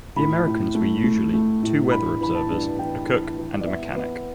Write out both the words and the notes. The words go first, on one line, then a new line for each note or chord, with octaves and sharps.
The Americans were usually two weather observers, a cook, and a mechanic.
A2 B5
A2
A3
A3
A3
A2
G2 B5
E3 B5
A5
G2
E3 G5
E3
E3
D5
B3 E5
B3